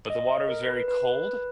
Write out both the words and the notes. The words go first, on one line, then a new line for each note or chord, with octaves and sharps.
but the water was very cold,
D#5
A#4
B4
B4